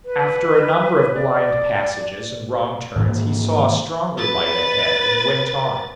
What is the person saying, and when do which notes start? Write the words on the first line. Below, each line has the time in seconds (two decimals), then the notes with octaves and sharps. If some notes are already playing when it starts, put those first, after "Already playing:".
After a number of blind passages and wrong turns he saw a stronger light ahead, and went on.
0.05 B4
1.14 D5
2.96 G#2 D#3 E3 A#3
4.18 B4 A6